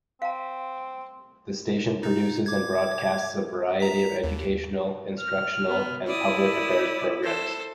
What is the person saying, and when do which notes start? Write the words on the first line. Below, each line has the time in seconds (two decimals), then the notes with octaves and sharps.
The station produces and broadcasts a variety of educational, instructional and public affairs programs.
0.22 C4 F5 A#5
2.03 D#4
2.46 D6 G#6
3.80 A#5 B6
4.24 D#2
5.19 F6
5.68 B3
6.07 E4 D5 D#6
7.23 A4 C5